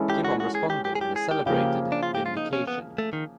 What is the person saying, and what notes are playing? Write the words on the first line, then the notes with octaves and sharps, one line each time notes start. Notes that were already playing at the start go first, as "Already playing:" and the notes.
Gibbon responded in his celebrated "Vindication".
Already playing: E3 G#3 C#4 E4 A4
G4
F#4
F#4
G#4
G4
G4
G#4
G4
G#4
G4
C#3 F3 A#3 G4
D4
F4
G4
F4
D#4
C#4
B3
A3
D#3